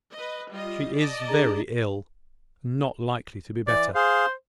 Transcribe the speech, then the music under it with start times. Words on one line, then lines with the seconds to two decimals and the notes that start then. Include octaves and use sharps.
"She is very ill;--not likely to be better."
0.12 B4 D#5
0.50 G3 F4 D#5
0.94 D5 D#5 A5
1.28 D4 G#4 A#5
3.67 E3 D5
3.95 G#4 C5 F5